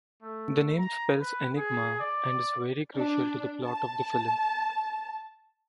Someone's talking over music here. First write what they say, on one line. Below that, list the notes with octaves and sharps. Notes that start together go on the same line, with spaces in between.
The name spells enigma and is very crucial to the plot of the film.
A3
A#5
B4
G#4
D5
D4
A5